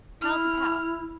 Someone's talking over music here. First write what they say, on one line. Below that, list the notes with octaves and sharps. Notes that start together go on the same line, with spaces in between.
Pal to pal.
E4 F6